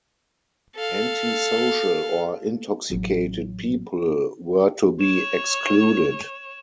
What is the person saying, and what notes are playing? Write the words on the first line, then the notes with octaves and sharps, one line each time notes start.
Anti-social or intoxicated people were to be excluded.
A4 F5
A1 F#3
C#5 E7